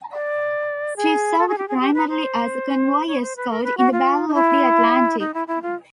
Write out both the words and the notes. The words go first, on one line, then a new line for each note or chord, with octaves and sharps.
She served primarily as a convoy escort in the Battle of the Atlantic.
D5
G#4
A4
G#4
G4
G#4
F#4
G4
B4
C5
C#5
C5
B4
A#4
B4
F#4
F4
D#4
E4
D#4
E4
E4
F4